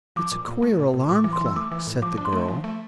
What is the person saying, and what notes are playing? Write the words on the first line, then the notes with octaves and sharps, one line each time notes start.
"It's a queer alarm clock," said the girl.
F3 D6
A#2
A#2
A3
A#2
A#2
A2 D6
E3
C6
E3
E6
A3 D6
E3
A2
F3 D6
D4
C6
A3
F3
A3